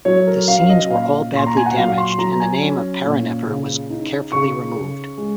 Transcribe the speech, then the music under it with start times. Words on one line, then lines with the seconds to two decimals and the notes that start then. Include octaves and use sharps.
The scenes were all badly damaged and the name of Parennefer was carefully removed.
0.05 F#3 C#5
0.27 A#4
0.48 C#4 F5
0.69 D#5
0.90 A#2 F5
1.33 A#2 C6
1.47 A#5
1.57 G#5
1.66 F#5
1.76 F#3 F5
1.98 C6
2.18 F#3 A#5
2.32 A#5
2.40 G#5
2.62 C#4
3.04 A#2
3.46 C#3
3.90 D#4
4.32 C#3 C#6
4.75 C#3
5.17 G#3